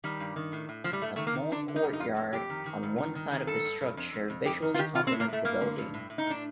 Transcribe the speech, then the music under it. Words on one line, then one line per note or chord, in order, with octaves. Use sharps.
A small courtyard on one side of the structure visually complements the building.
D#3 G3
G2
D#3
A2
A2
A2 F3
G3
G2 A3
D#3 A3
A#3
D#3
D3 D4
D3
D#4
G2
D#4
F2 F4
F2
F2 G4
D#3
D#3
G2
D#3
D#3
D#3
G2 A4
G2
G2
F2
F2
F2
F2 G4
D#3
F4
D#3 G4
A2 F4
C4
A2
A#3
A2 A3
G2 A#3
D3
G2
A2
A2
D#4
A2 D4